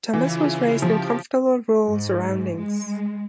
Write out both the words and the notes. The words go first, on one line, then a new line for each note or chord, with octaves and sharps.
Thomas was raised in comfortable rural surroundings.
C#3 E3 E4 F4
F3 G4
G#2
G#3